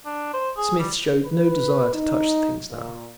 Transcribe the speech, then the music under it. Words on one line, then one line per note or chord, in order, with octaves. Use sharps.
Smith showed no desire to touch the things now.
D4
C5
G#4
G3
B4
D#4
A#2